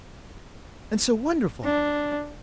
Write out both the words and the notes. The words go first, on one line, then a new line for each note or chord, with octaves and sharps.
And so wonderful!
D4